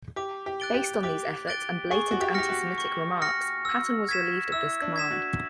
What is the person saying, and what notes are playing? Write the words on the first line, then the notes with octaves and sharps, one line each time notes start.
Based on these efforts and blatant antisemitic remarks, Patton was relieved of this command.
G4 D6
G4
F#6 A6 D7 G7
G4
G4 D6
F#6 A6 D7 G7
G#4 C#6
F#4
G4
G4 F6 A#6 C#7
F#4
C#6
F6 A#6 C#7
E6
G#6 B6 E7
E4 E6
D4
G#6 B6 E7
F#4